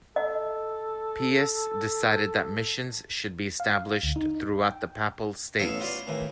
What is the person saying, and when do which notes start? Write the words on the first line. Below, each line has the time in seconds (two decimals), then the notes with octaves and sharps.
Pius decided that missions should be established throughout the Papal States.
0.16 A4 D#5
3.60 F5
4.03 D2
4.16 D#4
4.64 G5
5.59 A1 B3 A4 C#5 E5 F5
5.80 F4 F#4 B4 D5 F5
6.07 D#2 A2 E3 A#3